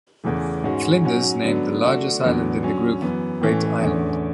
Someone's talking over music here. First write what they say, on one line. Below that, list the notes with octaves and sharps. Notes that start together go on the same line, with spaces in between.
Flinders named the largest island in the group "Great Island".
E2 C#3 E3 A3
G#2 G#3 C#4 F#4
G#2 F#3 C#4 F#4
D3 F#3 B3 D4
D3 A3 D4 F#4
E2 D3 F#3 B3
D3 F#3 C#4
F#2 E3 B3
A2 E3 A3 C#4
E2 D3 A3 C#4